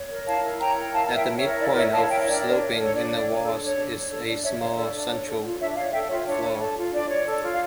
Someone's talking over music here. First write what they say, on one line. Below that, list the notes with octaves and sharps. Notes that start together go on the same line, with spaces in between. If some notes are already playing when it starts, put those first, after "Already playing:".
At the midpoint of the sloping inner walls is a small central floor.
Already playing: C#5
A#4
E4 F5 A5
E4
C#5 G5 A#5
A#4
E4 F5 A5
E4
E5 G5
C#5
C#5 E5
A#4
E4 D5
E4 C#5 E5
C#5 F5 A5
A#4 E5 G5
D4 D5
D4
C#5
A4
C#5
D4 D5
D4
C#5
A4
D4 C#5
D4
C#5
A4
D4 D5
D4 C#5 E5
C#5 D5 F5
A4 D5
D4
C#5
A4
F4
D4 C#5 E5
C#5 D5 F5
A4 E5 G5
F4 C#5 E5
D4 C#5
C#5
A4
F4
D4 D5
C#5
A4
F4
F5